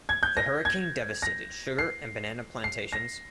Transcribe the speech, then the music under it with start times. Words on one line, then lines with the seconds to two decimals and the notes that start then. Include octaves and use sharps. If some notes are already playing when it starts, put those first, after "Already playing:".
The hurricane devastated sugar and banana plantations.
0.09 G#6
0.23 G6
0.37 A#6
0.65 G#6
1.22 A#6
1.79 C7
2.64 C7
2.93 A#6